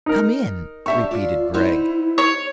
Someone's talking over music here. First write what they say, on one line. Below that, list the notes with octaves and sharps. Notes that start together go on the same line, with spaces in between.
"Come in," repeated Gregg.
D#4 A#4
D4 G4 C#5 E5 C#6
F4 D5
B3 D#4 E4 C5
C#5